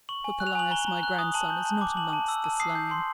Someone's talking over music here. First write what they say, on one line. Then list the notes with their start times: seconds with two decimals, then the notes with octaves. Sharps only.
For Callias, my grandson, is not amongst the slain.
0.09 C#6 F#7
0.24 G#5
0.40 F#6
0.47 F7
0.55 G#5 F#7
0.71 A#5 G7
0.87 A#5
1.03 F#6
1.19 D#6
1.34 A5 F#7
1.50 G6
1.66 A5
1.81 D6
1.97 A5 F#7
2.13 A5
2.28 E6
2.44 A5
2.60 D#6 C7
2.75 G6
2.91 C6